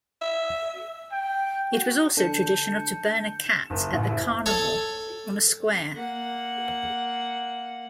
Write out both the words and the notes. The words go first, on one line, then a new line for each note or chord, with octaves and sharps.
It was also traditional to burn a cat at the carnival on a square.
E5
G5
F#4
D3 A5 G6 C#7
E7
F#1
A1
E4
A4 C#5
A#3 F#5